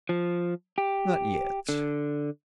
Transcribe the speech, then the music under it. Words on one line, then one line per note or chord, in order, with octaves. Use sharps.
"Not yet."
F3
G4
D3